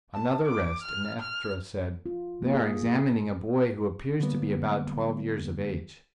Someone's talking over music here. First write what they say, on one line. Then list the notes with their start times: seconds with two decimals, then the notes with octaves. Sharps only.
Another rest, and Estra said: "They are examining a boy who appears to be about twelve years of age."
0.14 A5
0.44 D6
0.82 F6
1.20 F6
2.06 F4
2.42 A#3
2.54 G#4
2.83 A#3
4.20 D3 F#3 G3 A#3 B3